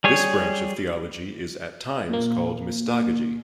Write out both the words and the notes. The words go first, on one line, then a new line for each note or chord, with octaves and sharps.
This branch of theology is at times called mystagogy.
G3 G#4 C#5
A#2 A#3